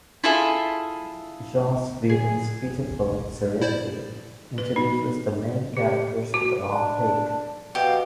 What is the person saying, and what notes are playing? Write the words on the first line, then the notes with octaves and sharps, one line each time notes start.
Joss Whedon's feature film "Serenity" introduces the main characters with a long take.
E4 F4 G#4 A4
G#4
E4 C5 D5
B4
D#4
G4
F#4
D4 A5
B2 G4 F5